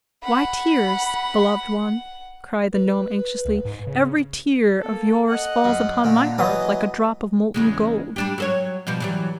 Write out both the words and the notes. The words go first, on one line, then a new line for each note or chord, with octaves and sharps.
'Why tears, beloved one?' cried the gnome anxiously; 'every tear of yours falls upon my heart like a drop of molten gold.
F#5 B5
B4
C#2
G#2
C#3
A#3 A4
D#5 F#5
F#2
A#2 D3
E3 F#3 D#5 D#6
E2 C#3 G#3
G3 D4 G4
F#3 A4 C#5
B2 F3 G3
E3 F#3 G3